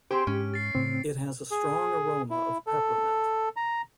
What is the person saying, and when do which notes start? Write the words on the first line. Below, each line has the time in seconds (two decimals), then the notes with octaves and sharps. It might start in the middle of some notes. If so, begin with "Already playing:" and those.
It has a strong aroma of peppermint.
0.11 C4 G4 G#4 C5 D7
0.27 G#2 C#4
0.54 A6 C7
0.75 A2 C#3 C4
1.51 G#4
2.30 E4
2.67 A4
3.56 A#5